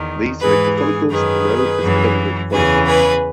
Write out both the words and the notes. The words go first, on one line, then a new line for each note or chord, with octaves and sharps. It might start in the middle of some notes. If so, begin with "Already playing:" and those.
These selected follicles are known as the dominant follicles.
Already playing: E2 D#3
G#2 E3 G#4 B4
G#4
F#2 D#3 G#4 B4
F#2 E3
E2 C#3 E3 G#4 B4
G#4 B4